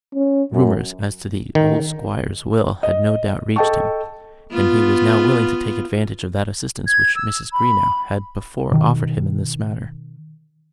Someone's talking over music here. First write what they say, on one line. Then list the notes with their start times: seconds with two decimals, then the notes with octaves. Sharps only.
Rumours as to the old Squire's will had no doubt reached him, and he was now willing to take advantage of that assistance which Mrs. Greenow had before offered him in this matter.
0.15 C#4
0.53 F#2
1.55 D#3
2.83 D#5
3.56 A4 D#5 G5 A5 C#6
4.51 B3 F4
6.87 G#6
7.16 E6
7.53 B5
8.72 B2 D#3